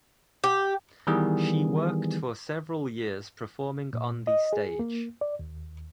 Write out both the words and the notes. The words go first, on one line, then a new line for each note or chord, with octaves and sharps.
She worked for several years performing on the stage.
G4
D#3 E3 G3 B3 G#4
A#2
D#5
G#4
A#3
D5
D#2